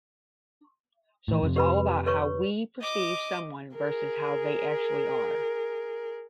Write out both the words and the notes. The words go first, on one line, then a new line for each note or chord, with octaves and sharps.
So it’s all about how we perceive someone versus how they actually are.
A2 E3
F2 C3
G4 B4 B5
B4 C#5 C#6
D#5 D6
G#4 A#4